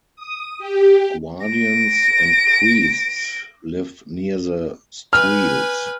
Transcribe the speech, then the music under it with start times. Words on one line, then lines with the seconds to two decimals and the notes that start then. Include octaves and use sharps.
Guardians and priests live near the Streels.
0.16 D#6
0.58 G4
1.46 A#6 D7
5.13 B4 G#5 F6